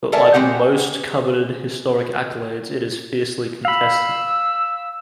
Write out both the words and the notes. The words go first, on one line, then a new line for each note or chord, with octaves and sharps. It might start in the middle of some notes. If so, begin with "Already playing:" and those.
But like most coveted historic accolades, it is fiercely contested.
A4 A#4 D5 E5 G#5 A5
G#3 C4 G4 F#5
F5 B5 E6